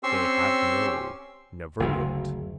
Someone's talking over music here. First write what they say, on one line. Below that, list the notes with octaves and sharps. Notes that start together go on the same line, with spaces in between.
They have no. Never looked.
C4 C#4 G4 C6 C#6 E6
F#1 D2